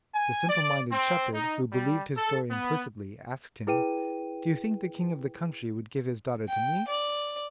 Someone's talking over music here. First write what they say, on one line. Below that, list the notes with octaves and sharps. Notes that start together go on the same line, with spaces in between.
The simple-minded shepherd, who believed his story implicitly, asked him, 'Do you think the king of the country would give his daughter to me?'
G#5
D5
C4
D#4
G3
A4
B3
E4 G#4 B4 G5 D#7
G5
D5